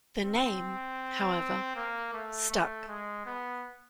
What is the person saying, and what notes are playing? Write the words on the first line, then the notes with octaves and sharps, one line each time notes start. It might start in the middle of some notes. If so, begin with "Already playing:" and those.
The name, however, stuck.
C4
A#3
A3
A3
G#3
B3